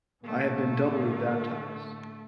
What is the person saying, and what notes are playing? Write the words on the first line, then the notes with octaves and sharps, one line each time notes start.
I have been doubly baptized.
A2 D3 A3 A#3